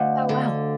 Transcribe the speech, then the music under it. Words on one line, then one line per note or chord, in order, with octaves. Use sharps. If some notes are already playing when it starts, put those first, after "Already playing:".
Oh, wow.
Already playing: D2 D#5 F5 F#5
D3